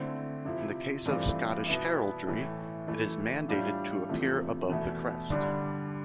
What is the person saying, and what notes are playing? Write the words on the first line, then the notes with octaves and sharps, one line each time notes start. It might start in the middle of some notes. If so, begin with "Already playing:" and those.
In the case of Scottish heraldry it is mandated to appear above the crest.
Already playing: D3 A3 C4 E4
C3 F3 C4 E4
G2 E3 A3 C4 F4
B2 B3 E4
A2 E3 A3
E3 A3 E4
A2 G3 D4 F4
E2 C3 F3 A3
E2 B2 A3 E4
G2 D3 G3 D4